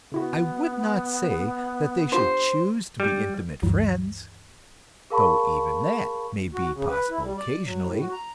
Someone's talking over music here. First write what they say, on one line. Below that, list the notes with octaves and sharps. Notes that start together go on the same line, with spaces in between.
I would not say that they should choose to be intimate friends--though even that may be possible occasionally.
C#3 B3 E4 F#4
D4 F4 G4 C5
G3
G#1 D2 G2 E3
G#4 A#4 F5 A5 B5 C#6
F#4
C#3
B4
E4
G3
D5
F#3
A2
F#4
A#5